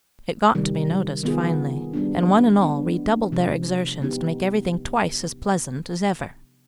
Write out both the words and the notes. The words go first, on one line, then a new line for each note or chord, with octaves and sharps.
It got to be noticed finally; and one and all redoubled their exertions to make everything twice as pleasant as ever!
C3 D#3 G3
D#3 B3 F4 G#4
G3 B3 D4
G#3 B3 D4
C3 F3 G#3
G#3 B3 D#4 G4